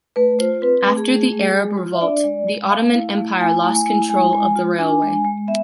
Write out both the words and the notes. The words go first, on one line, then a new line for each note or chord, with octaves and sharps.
After the Arab Revolt, the Ottoman Empire lost control of the railway.
A3 B4
F4 C5
C4 B4
A3
G#4
A3
G#3
G#3
F4
E5
D4 D5
G#3
G#3
A3 F5
E4
A3
E4 G#5
A3
G#5
E4
G#3 G#5
G#3
F4
D4 G#5
G#3
G#3
B3 E5